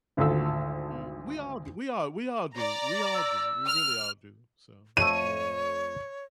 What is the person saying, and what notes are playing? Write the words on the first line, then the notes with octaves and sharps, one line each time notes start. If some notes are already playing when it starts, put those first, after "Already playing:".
Mhm, mhm. We all do. We all we all do. We all do. We really all do, so, you know.
G#1 D2 F4 A4 E6
D5 A#5
E6
F6
F2 A3 C#5 D#7